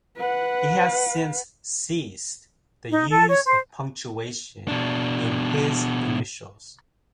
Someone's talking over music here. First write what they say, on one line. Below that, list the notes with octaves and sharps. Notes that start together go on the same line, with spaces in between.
He has since ceased the use of punctuation in his initials.
B4 F#5
D#4
A4
C#5
C5
B2 D4